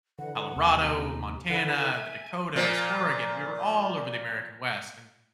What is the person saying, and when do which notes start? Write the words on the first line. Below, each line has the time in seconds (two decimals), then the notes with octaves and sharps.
Colorado, Montana, the Dakotas, Oregon. We were all over the American West, and
0.19 D3 E3 F#5
0.56 D#2 C3
0.87 D#4
1.49 D3 E4 B4 F#5
1.92 E5 G#5
2.56 A#2 F3